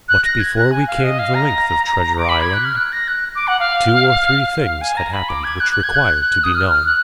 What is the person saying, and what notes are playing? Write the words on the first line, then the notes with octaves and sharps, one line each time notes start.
But before we came the length of Treasure Island, two or three things had happened which require to be known.
F#6
A#6
G#6
F#6
G#5
F5
D#5
F5
A#5
D6
B5
G#6
F#6
F6
F#6
A#6
F#6
D6
F#5
F5
F5
G#5
A#5
B5
D6
G#6
F#6
F#6
G#6
F#6
D#6
F6
F6
F#6